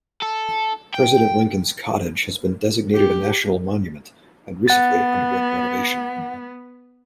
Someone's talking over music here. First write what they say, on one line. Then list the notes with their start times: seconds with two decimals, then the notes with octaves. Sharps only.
President Lincoln's Cottage has been designated a National Monument, and recently underwent renovation.
0.22 A4
0.94 G5
2.94 G4
4.68 B3 F#5 A6